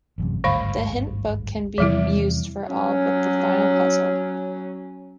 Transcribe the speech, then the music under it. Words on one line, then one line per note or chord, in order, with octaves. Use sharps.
The hint book can be used for all but the final puzzle.
A1 F#2 C3
G#1 D2 G2 D3 F5 B5
E2 C3 F3 G3 E4
F#3 C#4